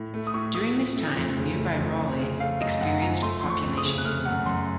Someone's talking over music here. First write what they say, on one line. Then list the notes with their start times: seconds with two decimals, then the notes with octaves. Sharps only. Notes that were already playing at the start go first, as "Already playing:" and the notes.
During this time, nearby Raleigh experienced a population boom.
Already playing: A2
0.14 A3
0.27 D#6
0.34 A2 C#6
0.54 A3 D#6
0.76 F3
0.96 A3
1.16 F2
1.37 C#3
1.58 A3
1.79 F2
1.99 F2
2.20 C#3
2.40 A3 F5
2.61 F#2 D#5
2.81 F#2 F#5
3.02 F3 A#5
3.22 A3 C6
3.41 F2 C6
3.50 C#6
3.63 F2
3.77 D#6
3.85 C#3
3.98 F#6
4.05 A3 F6
4.25 F#2 F#5
4.46 F#2 C6